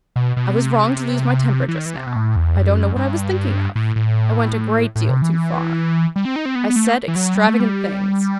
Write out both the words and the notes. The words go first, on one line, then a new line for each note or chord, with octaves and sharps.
I was wrong to lose my temper just now, I don't know what I was thinking of, I went a great deal too far, I said extravagant things.
B2
B2
C3
E3
D#3
E3
C3
B2
A2
E2
F#2
G2
A2
A2
A2
C3
E3
G3
C4
D#4
C4
B3
B3
A3
E3
F#3
G3
A3
G3